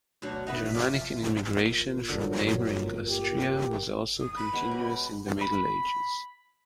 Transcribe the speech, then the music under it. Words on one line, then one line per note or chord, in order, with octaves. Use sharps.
Germanic immigration from neighbouring Austria was also continuous in the Middle Ages.
D2 B2 F#3 D4
D#4 F#4 B4 E5
C3 F3 D5
E5
A#2 A#4
G2 D3 F#3
G4
D#6
B5
B2 G#3 C#5
G#3 G4
B5